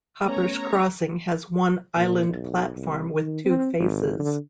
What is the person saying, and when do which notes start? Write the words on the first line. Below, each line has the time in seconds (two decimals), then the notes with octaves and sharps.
Hoppers Crossing has one island platform with two faces.
0.25 A3 B3 C#4 C#5 A#5
1.96 A#2
2.29 B1
2.76 C2
3.14 D#3
3.45 C4
3.79 G#1
4.19 D3